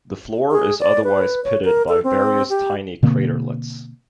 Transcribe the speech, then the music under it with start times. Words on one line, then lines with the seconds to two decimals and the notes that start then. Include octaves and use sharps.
The floor is otherwise pitted by various tiny craterlets.
0.51 G#4
0.80 D5
1.04 B4
1.44 C#5
1.64 A#4
1.88 A4
2.04 C4
2.49 G4
3.03 B2 D3 A#3 C4